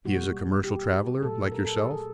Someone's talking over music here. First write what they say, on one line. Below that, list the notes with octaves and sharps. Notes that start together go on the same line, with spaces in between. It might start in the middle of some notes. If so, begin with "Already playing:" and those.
"He is a commercial traveler like yourself?"
B2 G3 A#3 F#4
G4
A#2 F#3 A3 A4
A#4
A4
G#4
A4